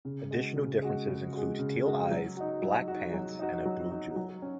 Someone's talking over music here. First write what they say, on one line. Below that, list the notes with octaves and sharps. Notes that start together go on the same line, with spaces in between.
Additional differences include teal eyes, black pants, and a blue jewel.
C#3
G#3 F#4
C#3
G#3 F#4
C#3
G#3 F#4
C#3
G#3 F#4
F#3
D#4 F#4
F#3
D#4 F#4
F#3
D#4 F#4
F#3
D#4 F#4
F#3
C#4